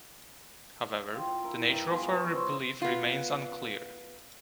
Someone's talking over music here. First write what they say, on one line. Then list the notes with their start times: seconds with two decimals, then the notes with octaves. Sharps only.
However, the nature of her belief remains unclear.
1.14 F4 G5
1.44 E4 A#4
1.67 G2 D#4 B4 E5
1.90 B3 F4 G#4
2.12 B3 C#6
2.31 C5 C#5 D#5 E5
2.82 B3 F4